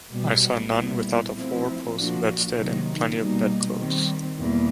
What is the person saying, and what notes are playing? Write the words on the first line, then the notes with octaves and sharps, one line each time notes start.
I saw none without a four-post bedstead and plenty of bedclothes.
B2 G3 B3
A#2 G3 B3 E4
F3 A3 C4 E4
A#2 F3 A#3 D4 F#4
C3 D#3 F#3 A#3 D#4
B2 G3 A#3 D#4
D#3 G3 C4
E2 B2 G3 A#3